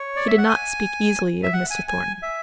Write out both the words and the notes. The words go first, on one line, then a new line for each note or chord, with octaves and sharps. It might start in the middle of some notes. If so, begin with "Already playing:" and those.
He did not speak easily of Mr. Thornton.
Already playing: C#5
D5
E5
F#5
G#5
E5
F#5
G#5
G#5
E5